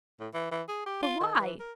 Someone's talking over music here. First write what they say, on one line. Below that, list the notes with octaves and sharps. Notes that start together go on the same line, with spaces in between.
"But why?"
A2
E3
E3
G#4
G4
F4
D#3
E3
A#4